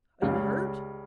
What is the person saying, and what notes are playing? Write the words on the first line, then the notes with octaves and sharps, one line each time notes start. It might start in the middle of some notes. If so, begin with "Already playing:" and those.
Are you hurt?
C#2 C#3 G3